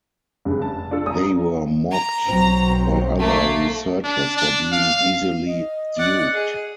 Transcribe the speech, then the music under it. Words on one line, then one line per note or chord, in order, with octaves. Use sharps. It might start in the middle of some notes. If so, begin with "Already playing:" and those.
They were mocked by other researchers for being easily duped.
F1 G2 C#3
A5
D4 F4 A4
D5 A#5 D#6
A#5
B1 F#3 C4
A3 A#3
D4
D4
F5
D#5
D5 F#5
G#4